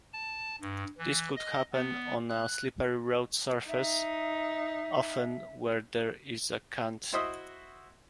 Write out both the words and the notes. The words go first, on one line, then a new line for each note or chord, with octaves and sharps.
This could happen on a slippery road surface, often where there is a cant.
A5
G2
E3
D#5
B3
F#6
D#4 E5
E4 F#4 C5 D#5 E5 D#6